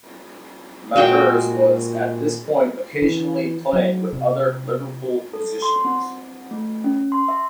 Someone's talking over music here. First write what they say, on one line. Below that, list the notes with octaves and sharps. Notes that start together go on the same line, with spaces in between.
Mavers was at this point occasionally playing with other Liverpool musicians.
A#2 G#3 F#4 G5
E3
F#3
C3
A4
C6
C4
A3
C#4
C6
E5